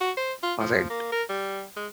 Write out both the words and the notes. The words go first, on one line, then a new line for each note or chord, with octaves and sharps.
I was like
F#4
C5
F4
F3
A#3
A#4
G3
G#3